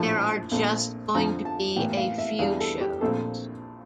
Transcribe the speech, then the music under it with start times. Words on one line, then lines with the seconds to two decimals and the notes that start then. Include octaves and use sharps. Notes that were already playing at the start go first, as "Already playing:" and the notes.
There are just going to be a few shows.
Already playing: A#1 A2 F3 A3 A5
0.51 A#1 A#2 A3 C4
1.15 F2 D3 F3 C4 A#5
1.45 A5
1.76 A1 A2 E3 A#3 G5
1.97 F5
2.18 E5
2.39 E2 E3 G3 D4 F5
2.60 A4
2.81 G4
3.01 A#1 A#2 A3 C4 A4